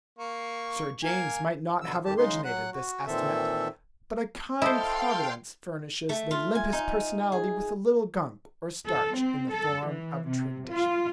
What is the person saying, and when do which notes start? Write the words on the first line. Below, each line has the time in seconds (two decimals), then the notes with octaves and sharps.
Sir James might not have originated this estimate; but a kind Providence furnishes the limpest personality with a little gum or starch in the form of tradition.
0.19 A#3 C#6
1.03 A#3 A#4 G#5
1.81 B2 D3 E6
2.05 F2 D#3 G4 A5
2.18 C#3 G#3 D#4 C6
2.45 F#3 F#5 F#6
2.73 F#4
3.06 A#2 D#3 E3 C4 A4 E5
4.62 E4 A4 C5 D#5 F5 G5 C6 D#6
6.09 A3
6.31 F4
6.55 G#5
6.73 D#4
7.32 G#4
8.86 A4
9.17 C4
9.52 A4
9.87 E3
10.29 C3
10.69 F4